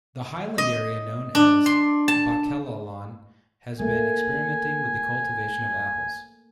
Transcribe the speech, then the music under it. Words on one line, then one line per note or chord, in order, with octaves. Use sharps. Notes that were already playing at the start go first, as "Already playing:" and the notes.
The highland area known as Ba'Kelalan has been experimenting with the cultivation of apples.
D#5
D4
C6
A5
A3 A#3 G#5